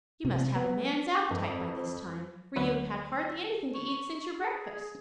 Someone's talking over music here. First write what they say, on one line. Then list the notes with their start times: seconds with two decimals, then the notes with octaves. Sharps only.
"You must have a man's appetite by this time, for you have had hardly anything to eat since your breakfast."
0.25 C3
0.56 B3
1.31 F2
2.56 D2 F#3 B4
3.74 C#6
4.39 G#4